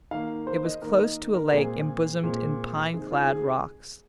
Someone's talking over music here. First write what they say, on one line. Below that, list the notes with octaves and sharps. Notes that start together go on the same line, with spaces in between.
It was close to a lake embosomed in pine-clad rocks.
D#3 A#3 F5
C5
D#5
D#3 A#3 A#4
D#5
A#4
A#2 G#3 C4 G#4
A#2 G#3 C4
C3 D#3 G#3 G#4
F4
G#4